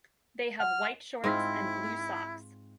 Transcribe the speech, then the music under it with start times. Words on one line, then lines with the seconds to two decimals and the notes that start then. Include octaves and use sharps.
They have white shorts and blue socks.
0.60 F#5 F6
1.24 G#2 C4 E4 F4